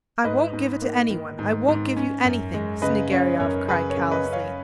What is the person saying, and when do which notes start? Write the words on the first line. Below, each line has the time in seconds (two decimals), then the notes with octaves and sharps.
"I won't give it to any one, I won't give you anything," Snegiryov cried callously.
0.24 G#2 B4 D#5
0.53 G#2
0.82 A#3
1.11 D#3
1.39 G#2
1.68 G#2
1.97 C#4
2.25 F#2
2.54 G#3
2.82 C#3 B4 D#5
3.11 C#4 C#5 F5
3.40 F#2 A#4 C#5
3.68 C#3 G#4 B4
3.90 A#4 C#5
3.97 C#3
4.11 B4 D#5
4.25 C#4
4.33 C#5 F5